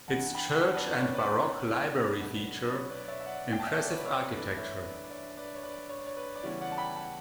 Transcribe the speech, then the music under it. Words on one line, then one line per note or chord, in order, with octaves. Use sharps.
Its church and baroque library feature impressive architecture and artwork, including intricate ceiling frescoes.
G2 E3 B3 E4 F#5 A5
G5 B5
F#5 A5
B4 D5
B4 D5
C#5
B4 D5
C#5
B4
C#5
B4
B2 F#3 A3 D4
B4
C#5
B4 D5
D5
C#5 E5
E5
D5 F#5
G5
A5
E5 G5
D5
C#5
B4 D5
C#5
G2 E3 A3 D4 B4 D5
C#5 E5
B4 D5
D5
C#5 E5
B4 D5
C#5
B4 D5
C#5
D5
C#5
B4
D5
C#3 E3 G3 B3 C#5
D5 F#5
A5
G5 B5
F#5 A5